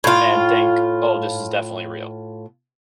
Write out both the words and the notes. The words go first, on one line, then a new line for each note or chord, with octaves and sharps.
and think, "Oh, this is definitely real."
A2 F4